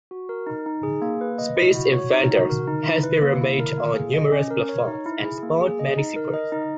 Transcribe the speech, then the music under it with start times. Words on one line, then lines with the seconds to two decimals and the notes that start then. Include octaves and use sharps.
"Space Invaders" has been remade on numerous platforms and spawned many sequels.
0.11 F#4
0.29 A#4
0.47 D#4
0.66 D#4
0.83 G#4
1.02 A#3
1.21 B4
1.38 D#5
1.57 E4
1.75 F#4
1.93 C#5
2.13 D#4
2.31 F#4
2.49 A#4
2.68 D#4
2.86 E4
3.03 B4
3.22 A#3
3.41 E4
3.60 A#4
3.77 A#3
3.95 G#4
4.14 D#5
4.32 C#4
4.50 A#4
4.69 C#5
4.87 D#4
5.06 E4
5.24 G#4
5.43 A#3
5.61 G#4
5.79 D#5
5.98 D#4
6.16 A#4
6.34 D#5
6.52 D#4